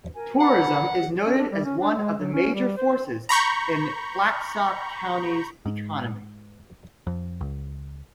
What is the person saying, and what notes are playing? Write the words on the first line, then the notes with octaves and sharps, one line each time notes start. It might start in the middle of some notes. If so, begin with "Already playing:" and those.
Tourism is noted as one of the major forces in Clatsop County's economy.
A#4 G#5
B4 F#5 A#5 B5
C#4
D4
G3
C#4
D4
G#3
F#3
C#4
G3
C5
A#5 B5 C#6 G6
G#2
F2
C#2